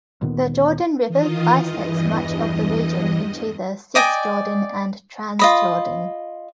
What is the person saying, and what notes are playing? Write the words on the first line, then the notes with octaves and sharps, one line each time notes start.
The Jordan River bisects much of the region into the Cisjordan and Transjordan.
D2 A#2 D#3 B3
D#3 E3 F4 D#5
E2 G2 D#5
D5 D#5 G5 G#5
F4 D#5 B5